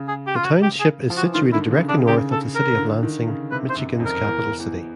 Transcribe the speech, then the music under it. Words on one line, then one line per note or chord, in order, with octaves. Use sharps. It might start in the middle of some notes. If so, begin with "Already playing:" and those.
The township is situated directly north of the city of Lansing, Michigan's capital city.
Already playing: C#3
G#4
G4
F4
F#4
G4
G#4
F3
F#4
E3
D#3 F4
D3 E4
C#3
C#3 D4
C#3 G4
A4
A#4
D3
D#3
C#3
C3 B4
C5
F#2
F2
A#4
E2
E2